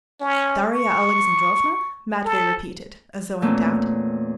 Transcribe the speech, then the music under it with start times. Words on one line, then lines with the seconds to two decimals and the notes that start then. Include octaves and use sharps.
"Darya Alexandrovna?" Matvey repeated, as though in doubt.
0.20 C#4
0.72 C#6
2.25 A4
3.42 E2 A#2 A3 C4 C#4